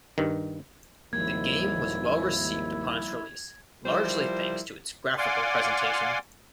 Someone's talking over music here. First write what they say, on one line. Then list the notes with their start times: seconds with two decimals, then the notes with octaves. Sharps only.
The game was well received upon its release, largely thanks to its graphical presentation.
0.18 G2 D#3
1.13 G#1 D#2 F3 G3 A#3 E4 G#6
3.86 F3 G3 E4 A#4 C5
5.18 D5 F5 F#5 G#5 C6 D6